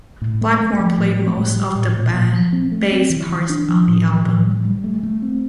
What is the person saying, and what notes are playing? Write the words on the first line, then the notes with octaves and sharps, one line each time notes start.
Blackmore played most of the bass parts on the album.
A2
A3
A3
F3
A2
A3
A2
G3
A2
A#2
A#2
F3
C4
A3
C4
E3
E3
D4
F3
A2
F3
A2
G3
G3
A3
A3
C4